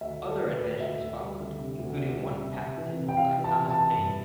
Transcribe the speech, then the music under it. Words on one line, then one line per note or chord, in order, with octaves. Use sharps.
Other inventions followed, including one patented by Thomas Paine.
D2 E5
D2
A4
D2
B4
D2
D2 E5
D2
G3
D3
C3
D2
C3
G3
C3
C3
E3
C3
G5
C3 F5
E3
A5
C3
A5
C3
G2